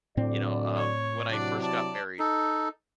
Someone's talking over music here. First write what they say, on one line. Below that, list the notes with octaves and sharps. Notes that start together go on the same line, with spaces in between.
You know, um, when I first got married,
A2 D3 F#3 C4 D5
C#5
C3 F#3 D4 E4 D5
D5 A5
D#4 A4